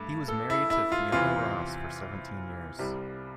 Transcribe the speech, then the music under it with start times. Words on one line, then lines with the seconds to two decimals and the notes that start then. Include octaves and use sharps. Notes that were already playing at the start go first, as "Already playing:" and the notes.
He was married to Fiona Ross for seventeen years.
Already playing: G2 A3
0.28 A4
0.50 E4
0.70 E4
0.92 F4
1.12 E2 C3 E3 F4
2.79 C2 C3 G3